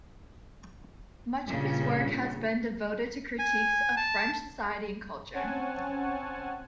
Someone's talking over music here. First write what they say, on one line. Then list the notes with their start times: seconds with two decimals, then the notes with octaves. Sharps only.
Much of his work has been devoted to critiques of French society and culture.
1.46 G2 A#2 C#3
3.39 G#5
3.97 A5
5.33 C4 C#4 C#5 F#5 G#5 A5